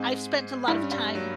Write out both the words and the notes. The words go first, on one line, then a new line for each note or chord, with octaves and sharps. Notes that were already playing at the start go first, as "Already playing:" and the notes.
I've spent a lot of time
Already playing: G#2 G#3 C4
G2 G3 E4
C#4
G2 G3
C4
F#3 A#3